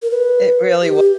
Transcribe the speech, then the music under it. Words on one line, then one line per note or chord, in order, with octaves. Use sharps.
It really was.
A#4
B4
G4